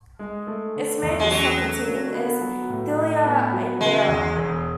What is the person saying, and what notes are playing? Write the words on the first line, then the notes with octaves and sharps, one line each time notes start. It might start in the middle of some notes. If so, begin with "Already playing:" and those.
Its major soccer team is Thyella Aigeira.
G#3
A3
D3
E2
G#3
F#3 C#4
A3
D3
B3
F#3
A2
A2
B3
F#3
C#3 G#3
E2
E1